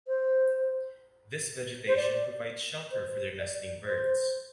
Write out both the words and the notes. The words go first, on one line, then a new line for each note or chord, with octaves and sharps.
This vegetation provides shelter for the nesting birds.
C5
C5
D5
C5
D5
C5